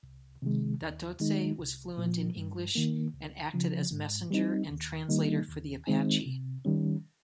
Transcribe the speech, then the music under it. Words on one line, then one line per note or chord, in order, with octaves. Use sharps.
Dahteste was fluent in English and acted as messenger and translator for the Apache.
C2
C3 D#3 G#3
D#2
D#3 G#3 D#4
C2
A#2 F3
G2
D#3 A#3
C#2
C#3 F3
G#2
G3 C4 D#4
D#2
D#3 G3 A#3 D#4
D#2
D#3 G#3 C4 D#4
C3
D#3 G3 C#4